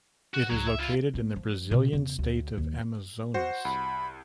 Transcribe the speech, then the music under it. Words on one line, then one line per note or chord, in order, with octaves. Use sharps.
It is located in the Brazilian state of Amazonas.
F#4
C#2 F#3 G#6
E5
E4 F4
A#3 D4
F3
B2
E2 C#3
D2
D#2
F#4 C5
C2 B5